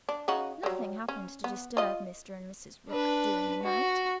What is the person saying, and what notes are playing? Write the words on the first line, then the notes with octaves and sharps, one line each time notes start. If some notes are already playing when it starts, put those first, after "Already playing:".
Nothing happened to disturb Mr. and Mrs. Rook during the night.
D4
C#3 D#4 F#4
F#3 G3
C#4
B3
F4 D#5
D4 B4
F#4